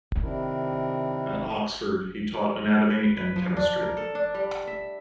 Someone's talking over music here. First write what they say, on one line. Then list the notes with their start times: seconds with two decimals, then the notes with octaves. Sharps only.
At Oxford, he taught anatomy and chemistry.
0.23 C3 D#3 C4 D4 E4 A#4
2.90 B4
3.17 B4
3.36 F3
3.57 D4
3.82 A#4
3.97 A4
4.15 D4
4.34 G3
4.67 E5